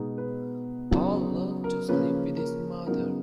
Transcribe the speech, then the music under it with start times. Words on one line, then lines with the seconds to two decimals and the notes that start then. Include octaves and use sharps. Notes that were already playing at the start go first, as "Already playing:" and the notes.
Paul loved to sleep with his mother.
Already playing: B2 G#3 B3 D#4
0.18 B4
0.91 C#3 F#3 B3 D#4
1.64 A#4
1.88 C#3 F3 A#3 C#4 B4
2.37 A#4
2.87 C#3 F#3 B3 D#4 A#4